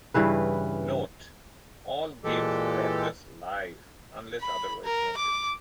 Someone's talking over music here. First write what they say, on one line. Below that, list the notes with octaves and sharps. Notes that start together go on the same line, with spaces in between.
Note: All games broadcast live unless otherwise noted.
G2 C#3 E3 B4
A#2 E3 G#3 G4 A4
B5
A#4
D6